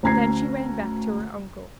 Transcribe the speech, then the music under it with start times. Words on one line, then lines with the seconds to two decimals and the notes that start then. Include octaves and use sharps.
Then she ran back to her uncle.
0.03 D2 C#4 A#5 G#6 C7